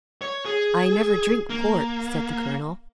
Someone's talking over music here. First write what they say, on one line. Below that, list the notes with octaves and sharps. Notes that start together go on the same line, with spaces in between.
"I never drink port," said the colonel.
C#5
G#4
A#3